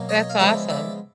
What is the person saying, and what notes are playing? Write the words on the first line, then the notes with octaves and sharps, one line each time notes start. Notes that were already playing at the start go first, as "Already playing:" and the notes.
That's awesome.
Already playing: B2 F#3 A#3
C#5 D#5
F5
C#3 F3 G#3 B3 D5 E5
D5 E5